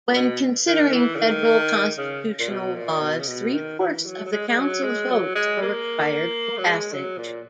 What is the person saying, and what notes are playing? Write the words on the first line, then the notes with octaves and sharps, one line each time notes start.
When considering federal constitutional laws, three-fourths of the Council's votes are required for passage.
A#2
B2
D#3
E3
C#3
D#3
C#3
A#2
B2
A#2
B2
C#3
B2
D#3
E3
F#3
F#3
G#3
G#3
F#3
G#3
F#3
G#3
A#3
F#3
G#3
F#3
A#2